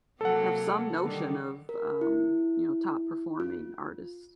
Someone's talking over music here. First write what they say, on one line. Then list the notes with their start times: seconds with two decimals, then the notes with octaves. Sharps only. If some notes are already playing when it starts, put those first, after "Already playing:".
have some notion of, um, you know, top performing artists.
0.21 C3 F#3 A#3 A4 F#5
1.03 D3 D#3 G3
1.69 A#4
2.01 E4
3.40 F4